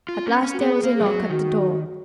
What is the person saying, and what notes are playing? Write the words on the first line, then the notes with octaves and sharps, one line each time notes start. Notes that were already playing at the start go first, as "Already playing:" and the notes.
At last there was a knock at the door.
F4
C#4
C#4
F#4
B3 G#4
A#3
F3 G#4
F#3
D#3 F#4